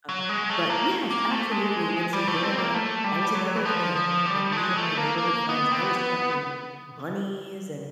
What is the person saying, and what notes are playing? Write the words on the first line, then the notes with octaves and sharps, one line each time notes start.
uh, but yes, absolutely, and so growing up, that was another thing, like, me and my neighborhood friends I was catching bunnies and
F#3
G#3
A3
A#3
A#3
A3
G#3
G3
A3
C4
A#3
A3
G3
F#3
E3
F3
F3
G3
A3
G#3
A3
A#3
A#3
B3
C4
B3